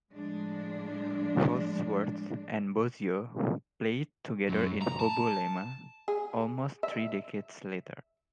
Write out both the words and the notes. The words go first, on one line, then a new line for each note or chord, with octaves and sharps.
Holdsworth and Bozzio played together in HoBoLeMa almost three decades later.
A2 F3 G#3 D4
F#2
A#5
A5
G#4
E5